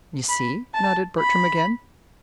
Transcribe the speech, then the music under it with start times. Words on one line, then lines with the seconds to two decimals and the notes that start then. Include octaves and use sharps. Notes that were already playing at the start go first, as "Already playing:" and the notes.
"You see," nodded Bertram again.
0.29 B5
0.74 A5
1.19 B5